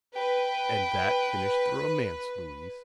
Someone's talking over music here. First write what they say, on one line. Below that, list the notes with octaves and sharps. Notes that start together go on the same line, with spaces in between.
"And that finished the romance, Louise."
B4 G5